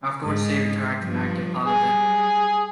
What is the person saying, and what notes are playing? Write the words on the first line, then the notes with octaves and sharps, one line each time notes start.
Afterwards, he retired from active politics.
G#2
G2 F3
G3 G#4